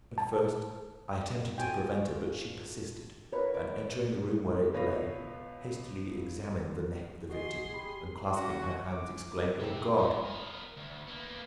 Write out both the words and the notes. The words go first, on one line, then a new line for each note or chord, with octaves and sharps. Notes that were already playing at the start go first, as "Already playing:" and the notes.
At first I attempted to prevent her but she persisted, and entering the room where it lay, hastily examined the neck of the victim, and clasping her hands exclaimed, 'O God!
A5
F4 F#4 A4 G5 G#5
A#4 B4 C#5
C#5 D5
C#2 B2 B4 C#5 A#6
F#4 G#4 D#5 C6
G4 B5 C7
C#4 F#4
D6
C3
G2
B3 A#4
D2
A#3 B3